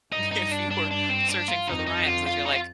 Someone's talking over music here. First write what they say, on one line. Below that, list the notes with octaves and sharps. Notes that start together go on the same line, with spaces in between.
if you were searching for the rhymes as you're like,
G2 D#4
D#4
D4
D4
D4
C4
D4
F4
F2 D#4
D#4
F4
F4
D#4
F4